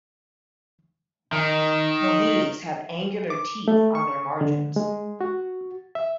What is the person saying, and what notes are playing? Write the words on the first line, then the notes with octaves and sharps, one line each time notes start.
The leaves have angular teeth on their margins.
D#3
D6
A3
C#6
D3
G#3
F#4
E5